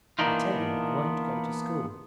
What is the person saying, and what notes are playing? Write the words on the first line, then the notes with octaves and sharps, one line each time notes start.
"I tell you I won't go to school."
E3 A#3 B3 D4 D#4 F4